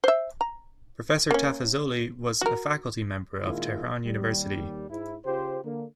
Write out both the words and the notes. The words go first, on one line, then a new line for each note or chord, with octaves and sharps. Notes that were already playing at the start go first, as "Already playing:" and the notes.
Professor Tafazzoli was a faculty member of Tehran University.
C5 E5
A#5
A#3 C#4
F#4 A#4
A#2 D#3 G#3 E4 F4
D#2 G3
G#2 E4
C#3 F4 G4 C5
D3 A#3